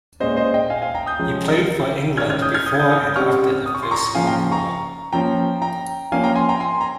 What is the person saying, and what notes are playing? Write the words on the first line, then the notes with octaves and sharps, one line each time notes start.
He played for England before and after the First World War.
A#2 G#3 C#4 C5 D#5
C5 D#5
D#5 G5
F5 G#5
F5 G#5
G5 A#5
D#6 G6
F3 G#3 C#4
D#3 G#3 C#4 F6 G#6
F6 G#6
D#6 G6
F6 G#6
D#6 G6
G#6
D#6 G6
D#6 G6
D#6 G6
C#3 G3 C4 C#6 F6
D#6
C#6
C6
A#5 C#6
C#3 F3 A#3 F5 G#5
G5 A#5
A#5 C#6
F3 A#3 C#4 G5 A#5
G5 A#5
F3 A#3 C#4 F5 G#5
G5 A#5
G#5 C6
G5 A#5
G#5 C6
A#5